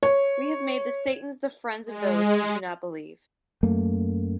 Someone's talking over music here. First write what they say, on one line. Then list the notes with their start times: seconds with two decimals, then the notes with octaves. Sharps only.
We have made the Satans the friends of those who do not believe.
0.03 C#5
1.86 G#3
3.63 F#2 A3 A#3